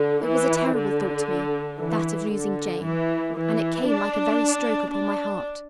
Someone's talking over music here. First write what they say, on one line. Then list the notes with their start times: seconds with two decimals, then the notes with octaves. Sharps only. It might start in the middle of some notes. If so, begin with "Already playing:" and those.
It was a terrible thought to me, that of losing Jane, and it came like a very stroke upon my heart.
Already playing: D3
0.26 E3
0.77 D3
1.80 E3
2.32 D3
2.83 E3
3.34 E3
3.86 D4
4.89 D4